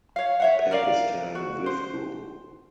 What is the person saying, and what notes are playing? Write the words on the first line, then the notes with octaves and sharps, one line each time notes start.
Pakistan withdrew.
C#5 F5
C#5 E5 F#5
A#4 D5 F5
F#4
C5